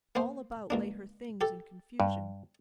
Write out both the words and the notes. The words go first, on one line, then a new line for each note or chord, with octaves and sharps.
All about lay her things in confusion.
A#3 B3 C5
C#2 A#3 D4
G4 A4
G2